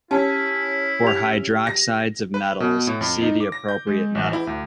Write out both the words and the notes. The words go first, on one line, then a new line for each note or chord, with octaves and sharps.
For hydroxides of metals, see the appropriate metal.
C#4 E4 G4 A5
G4 F7
A#6
B4
B2
A2
F2
D#4
D6
A#6
G6
G#3
A1
E4
D2